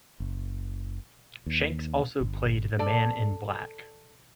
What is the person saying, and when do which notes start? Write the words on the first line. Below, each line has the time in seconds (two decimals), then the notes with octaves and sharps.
Shanks also played the Man in Black.
0.20 F#1
1.46 D#2
2.21 G1
2.79 A4 D5